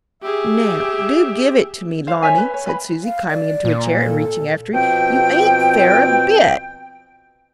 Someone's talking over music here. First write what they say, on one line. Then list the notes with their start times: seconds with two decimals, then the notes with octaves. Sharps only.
"Now, do give it to me, Lonnie," said Susy, climbing into a chair, and reaching after it; "you ain't fair a bit."
0.23 G4 G#4 E5
2.07 C5 F5
2.23 C5 C#5 E5 G#5
2.38 B4
2.54 C#5
2.66 B4 G#5 B5
3.04 F5
3.30 D5
3.65 A#2
4.00 A4
4.73 B2 F3 C4 G5